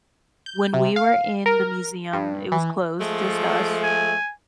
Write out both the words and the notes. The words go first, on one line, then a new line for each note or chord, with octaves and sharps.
when we were in the museum- it was closed; just us-
G6
C3
F5
A#4
G2
E3
F3 G#3 A3
G#5